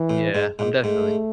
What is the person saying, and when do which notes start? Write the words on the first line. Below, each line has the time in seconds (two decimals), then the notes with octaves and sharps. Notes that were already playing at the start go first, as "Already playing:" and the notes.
Yeah, I'm definitely
Already playing: E3
0.10 A2
0.35 G#2
0.59 G#2
0.84 G#2 A3